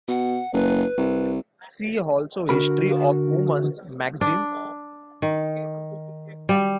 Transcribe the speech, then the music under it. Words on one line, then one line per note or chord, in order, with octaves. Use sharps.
See also history of women's magazines.
B2 F#5
F#1 B4
C2
D3 F#4 A#4 B5
D4
D#3
G3